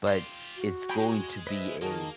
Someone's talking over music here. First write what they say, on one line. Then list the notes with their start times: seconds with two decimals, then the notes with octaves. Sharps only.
But, it's going to be a
0.07 F4 G4 C6
0.57 F#4
0.89 G#3 G5 G#5 A#5 B5
1.47 B4 C5 D#5 E5
1.82 D#3 A#3 F#4 G#4 A#4 D#5 A5